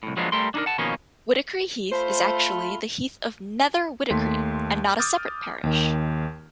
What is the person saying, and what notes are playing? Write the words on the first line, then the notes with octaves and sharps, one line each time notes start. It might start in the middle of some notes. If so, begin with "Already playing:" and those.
Whitacre Heath is actually the heath of Nether Whitacre and not a separate parish.
C2 A2
F3 F#3 G#3 A#3 B3 D4
G3 A3 A#4 C6
D4 D#4 G#4 A#4
F#5 A5
B2 D#3 F3 A#3 C#4
A3 F4 C5 B5
D#2 A3 C6 B6
D6 D#6 F6 G6 A6
D#2 D#3